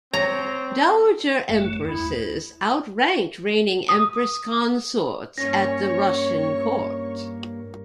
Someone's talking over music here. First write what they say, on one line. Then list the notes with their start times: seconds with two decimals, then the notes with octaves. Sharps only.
Dowager Empresses outranked reigning Empress Consorts at the Russian Court.
0.14 C4 C#5 A#5
1.49 F#1 F#2 A3
1.85 D#2 E4
3.89 D#6
5.38 G2 A#3 C#4 C#5 C#6 A#6